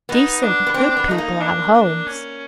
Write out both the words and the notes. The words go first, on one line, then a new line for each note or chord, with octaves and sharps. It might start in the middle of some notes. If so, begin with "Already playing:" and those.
Decent, good people have homes.
B3 D#4
D4
B3
C4 D4
B3
A3 D#4
A#3
D4
D4
C#4